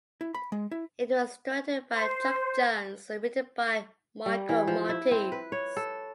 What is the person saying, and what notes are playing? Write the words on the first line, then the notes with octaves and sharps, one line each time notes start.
It was directed by Chuck Jones and written by Michael Maltese.
E4
B5
G#3
E4
C5
G3
E3
F3
E4
C4
B4
C#5
A4